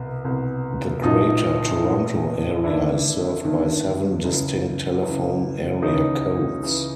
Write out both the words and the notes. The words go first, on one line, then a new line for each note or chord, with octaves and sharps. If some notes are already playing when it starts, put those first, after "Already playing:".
The Greater Toronto Area is served by seven distinct telephone area codes.
Already playing: C2 B2
C2 B2
A#1 A2 E3 D#4 F4
A#1 A2 E3
G1 G2 D#3 D4 E4
G1 G2 D#3
C#2 C#3 E3
C#2 C#3 E3
C#2 C#3 E3 C#4 D#4
C#2 C#3 E3